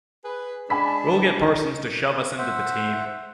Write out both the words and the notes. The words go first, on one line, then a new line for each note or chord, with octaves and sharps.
We'll get Parsons to shove us into the team.
G#4 B4
G#3 D4 G#5 B5 B6
D#4
C5 E5 F#5